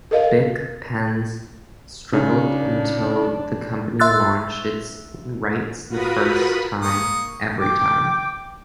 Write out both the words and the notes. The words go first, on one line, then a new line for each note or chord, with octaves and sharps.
Bic pens struggled until the company launched its Writes The First Time, Every Time!
A4 A#4 D#5 F5
C#3 D4 D#4
E5 C6 E6 F#6 A6
F4 F#4 A#4 B4 B5 D#6
A#3 C#6 D#6
G5 D6